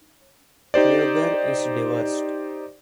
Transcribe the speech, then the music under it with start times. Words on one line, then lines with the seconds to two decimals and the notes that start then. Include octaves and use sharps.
Krueger is divorced.
0.74 D#4 G4 C5 D5